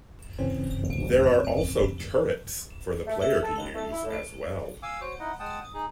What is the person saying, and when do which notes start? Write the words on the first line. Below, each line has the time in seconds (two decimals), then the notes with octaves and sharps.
There are also turrets for the player to use as well.
0.39 G1 C#3 E3 C4 C#4
3.05 A3
3.21 E5
3.43 A4
3.56 D#2
3.74 A3
3.91 E4
4.04 A2
4.83 F5 G#5 D6 E6
5.01 F#4 C5 C#5
5.19 D#4 E4 D#5 F#5
5.39 G#3 F#5 G5 A5 D#6
5.61 D#6
5.74 D#4 G#4